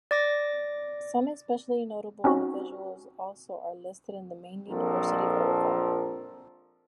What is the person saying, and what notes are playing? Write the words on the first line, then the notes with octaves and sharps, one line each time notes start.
Some especially notable individuals also are listed in the main university article.
D5 D6 A#6
C4 C#4 D#4 F#4
A#1 F2 A#2 F3 A4 A#4